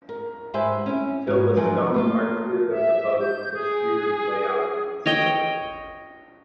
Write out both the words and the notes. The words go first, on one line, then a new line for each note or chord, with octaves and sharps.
Till the stones are cleared of the boat, the shears lay out considerably.
A#4
G#2 G4 B4 C5 E5 G#5
C#4 E4
G#2 C#5
E2 F3 F#3 D4 A#4 G#5
A3 A#3 F4
E5
G6
G#4
C#5 D#5 G5